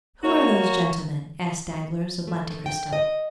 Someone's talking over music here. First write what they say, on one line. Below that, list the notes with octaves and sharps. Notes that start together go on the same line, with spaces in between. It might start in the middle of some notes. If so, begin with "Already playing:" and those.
"Who are those gentlemen?" asked Danglars of Monte Cristo.
A#3 F#4 C#5
A3
G5
D#5